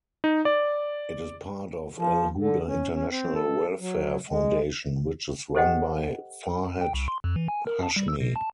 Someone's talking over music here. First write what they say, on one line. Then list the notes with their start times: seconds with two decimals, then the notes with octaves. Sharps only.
It is part of Al-Huda International Welfare Foundation which is run by Farhat Hashmi.
0.24 D#4
0.45 D5
1.98 F3
2.39 D3
2.67 C#4
2.93 C#4
3.10 C4
3.35 A4
3.80 F#3
4.30 G#3
5.55 G4 A4 C5 D#5 F#5 G5
6.81 G5
6.94 C2
7.08 C6
7.24 F2
7.36 E3
7.48 G#5
7.67 A#4
7.83 A5
7.96 G3
8.08 E6
8.20 B2
8.36 A5